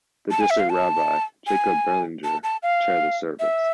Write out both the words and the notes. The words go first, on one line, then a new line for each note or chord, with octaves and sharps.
The district rabbi, Jacob Berlinger, chair the service.
A5
G#5
E5
F5
A5
G#5
A5
A5
F5
E5